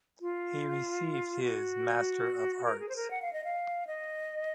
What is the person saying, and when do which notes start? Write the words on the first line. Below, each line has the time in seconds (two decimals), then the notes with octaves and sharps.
He received his Master of Arts.
0.21 F4
1.44 F#4
2.65 A#4
2.80 G#4
2.89 C5
2.96 A#4
3.11 F#5
3.22 F5
3.33 D#5
3.44 F5
3.87 D#5